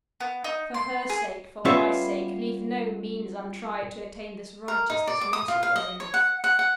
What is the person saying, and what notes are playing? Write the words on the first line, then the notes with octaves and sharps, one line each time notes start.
For her sake, for my sake, leave no means untried to attain this righteous, this merciful end.
B3
D#4
C6
G#4
G3 B3 C#4 F4 B4 E5
A#4
D#4
D5
D6
D#6
F4
F5
D#5
C#5
F#5
F#5
F#5